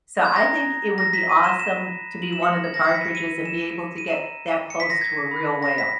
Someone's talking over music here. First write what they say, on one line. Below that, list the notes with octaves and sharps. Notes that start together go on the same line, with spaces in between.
so I think it would be awesome to be one of the Partridges, and be able to get that close to a real whale.
G#6
A#5 D#6 F#6 A#6
A#6
B6
D#7
E7
B5 F#6 E7
F#7
E7
C#7
A#6
G#6
A#6
B5 E6 G#6 C#7
B6
C#7
D#7
E7
D#7
A#5 E6 E7
C#7
B6
A#6
G#6
B5 F#6
A#6
B6